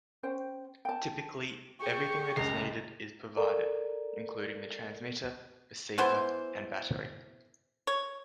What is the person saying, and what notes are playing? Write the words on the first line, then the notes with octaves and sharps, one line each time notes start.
Typically, everything that is needed is provided, including the transmitter, receiver and battery.
C#4 C5 G5
G5 A5
G4 G#4 C#6
F#1 C#2 A#5 C7
A4 A#4 D5 A#5
E3 B3 E4 C5
C#5